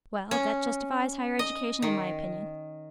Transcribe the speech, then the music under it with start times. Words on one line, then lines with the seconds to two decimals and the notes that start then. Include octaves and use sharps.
Well, that justifies higher education in my opinion.
0.31 C#4
1.39 D#5
1.82 D#3